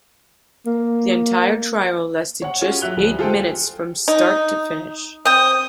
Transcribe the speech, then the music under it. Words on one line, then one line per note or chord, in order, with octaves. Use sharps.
The entire trial lasted just eight minutes from start to finish.
A#3
C#5 F#5
C#4 F4 F#4 G#4
F#3 E5 F#6 F7 G7
D2 F3 G3
F4 G#4 A4 C5 G5
D#4
C4 G5 D#6